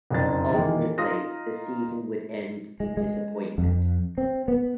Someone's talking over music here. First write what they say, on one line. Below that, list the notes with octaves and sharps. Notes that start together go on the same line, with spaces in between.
Ultimately, the season would end in disappointment.
F#1 F2 D4 A6
D#3 E3 G#3 A#3
D#4 F4 D#6 A#6
G#3
G#3
F2
C4
B3